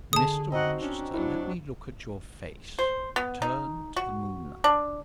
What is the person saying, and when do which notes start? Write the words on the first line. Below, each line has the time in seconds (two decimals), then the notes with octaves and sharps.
"Mr. Rochester, let me look at your face: turn to the moonlight."
0.13 D3 G#4 A5 D#6
0.52 C4 D#4 F#4 D#5 F#5
0.82 C#4 D4
1.14 F#3 D4 E4
2.79 C5
3.16 B3
3.42 D#4
3.96 F#4
4.64 D4